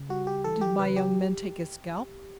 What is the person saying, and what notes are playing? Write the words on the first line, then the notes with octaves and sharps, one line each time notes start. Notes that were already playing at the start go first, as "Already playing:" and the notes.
"Did my young men take his scalp?"
Already playing: C#3
G3 F#4
G4
E3 A4
G4
C#3 B4
G4